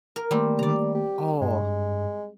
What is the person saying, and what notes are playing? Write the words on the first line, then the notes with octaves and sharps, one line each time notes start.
Mhm oh.
A#4
D#3 G3 A3 A#3 C4
G3 D5 A#5
G4
G2 G#3